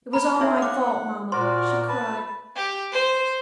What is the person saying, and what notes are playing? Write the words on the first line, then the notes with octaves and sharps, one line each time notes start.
"It was all my fault, Mamma!" she cried.
A#4 A#5 B5
A#3 D#4 G#4 A#4 C#5 E5
F#5 D6
A#2 F#4 A#4 C5 D5 C6
B4 A5
G4
C5